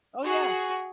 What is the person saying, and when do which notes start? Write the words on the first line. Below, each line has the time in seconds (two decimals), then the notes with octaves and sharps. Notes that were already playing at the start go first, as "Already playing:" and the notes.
Oh, yeah.
0.25 F#4 G#4